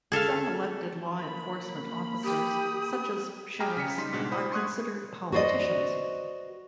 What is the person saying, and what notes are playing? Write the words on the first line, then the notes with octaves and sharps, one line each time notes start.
Some elected law enforcement officers, such as sheriffs, are considered politicians.
G#4 A4 E5 F5
A#3 B5
G4 D#6
G4 G#4 G5 A#5 B5 F6
C#3 B6 C#7
G3 D#4 C6 B6
G#2 B2 G#3 D4
E4 C5 F#5 B5 D#6
C6 C#6 D#6 F#6 G#6
F#4 B4 C5 D5 D#5